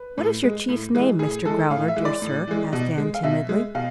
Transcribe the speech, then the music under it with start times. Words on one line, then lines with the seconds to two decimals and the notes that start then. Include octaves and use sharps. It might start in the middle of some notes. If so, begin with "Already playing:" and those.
"What is your Chief's name, Mr. Growler, dear sir?" asked Ann timidly.
Already playing: B4
0.18 A2
0.44 G#3
0.68 A2
0.95 E3 G#3
1.19 A2 G#4
1.45 E3 G#3 A4
1.70 A2 F5
1.88 E5
1.96 E3 G#3
2.05 D5
2.22 A2
2.47 E3 G#3
2.73 B2
2.98 G#3
3.15 F5
3.23 B2 E5
3.49 G#3
3.75 B2 F5